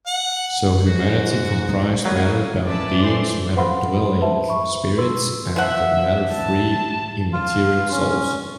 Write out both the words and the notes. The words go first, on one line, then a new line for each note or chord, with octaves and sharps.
So humanity comprised matter-bound beings, matter-dwelling spirits and the matter-free or immaterial souls.
F#5
G#2 F#4
F#3 G3 A#3 G#4 F5
C#4 B4 D5 E5 A5
A4 C5 G#5 C6
B4 C5 F5 F#5 B5 C6
B4 C5 E5 A5
B5 C#6
B4 C6 E6
F3 E5 F#5
A5
F4
C#4